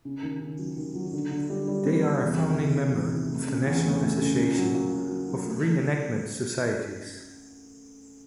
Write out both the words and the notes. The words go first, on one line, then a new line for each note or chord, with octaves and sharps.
They are a founding member of the National Association of Re-enactment Societies.
C#3
D#2
C#3
F#3
D#2
F#3
D3
D3
G3
G3
C4
C4
E2
C3
D#3
E2
E2
C3
A3
C#3
E2
A3
A3
C#3
A#3
F#3
A#3
F#3
F#3
F#3
A3
A3